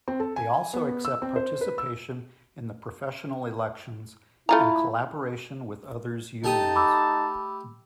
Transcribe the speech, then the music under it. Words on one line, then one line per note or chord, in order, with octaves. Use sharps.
They also accept participation in the professional elections and collaboration with others unions.
C4
A4
G#5
B3
E6
C4
C5
B4
E6
A3 E4 F4 A#5
A3 D#4 G4 A5 D#6
B5 D6 E6